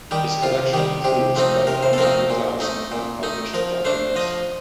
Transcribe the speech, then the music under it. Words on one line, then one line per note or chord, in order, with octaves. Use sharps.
His collection includes about one hundred thousand unpublished documents.
D#3 G3 G4
C3 F4
D#3 G3 G4
C3 G4
F3 A3 C4 D#4
C3 A#4
C5
A4
F3 A3 C4 D#4 A#4
A#2
A3 D#4
A#2
A3 D#4
F3 A#4
A3 D4 C5
F3 D#5